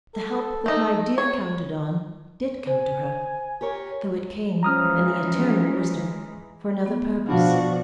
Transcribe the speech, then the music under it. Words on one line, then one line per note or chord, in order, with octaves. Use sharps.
The help that my dear counted on did come to her, though it came, in the eternal wisdom, for another purpose.
A4
A3 D#4
C#5
C5 G#5
G4 A#4 C#5
E3 F3 G#3 C#4 A#5 D#6 F6
B3
B2 F3 D4 F#4 F5 A5 B5